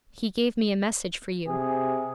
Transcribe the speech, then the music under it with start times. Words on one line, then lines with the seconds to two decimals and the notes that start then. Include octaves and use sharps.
He gave me a message for you.'
1.47 C3 G#4